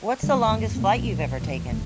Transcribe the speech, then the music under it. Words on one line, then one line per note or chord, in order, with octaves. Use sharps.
What's the longest flight you've ever taken?
D3 G3 G#3
E2 G2 A#3
B2 A3 A#3 C4
B1 B2 F#3
E2 A2
F1 D#2 A3